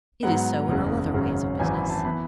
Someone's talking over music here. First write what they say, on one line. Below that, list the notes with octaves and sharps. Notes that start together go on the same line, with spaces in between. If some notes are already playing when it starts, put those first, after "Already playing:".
It is so in all other ways of business.
G#2 F#3 B3 F#5
F#1 E2 C#3 G#3
G#1 F#2 C#3 G#3 C#4
G#1 F#2 E3 G#5
B5
A5
E3 B3 B5